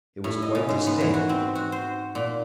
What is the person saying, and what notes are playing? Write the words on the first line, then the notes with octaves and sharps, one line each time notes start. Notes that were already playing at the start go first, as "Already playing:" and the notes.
It was quite distinct.
A2
D#5
C#3
G#2
B3
E3
F#4
C4
F#4
C5
A#2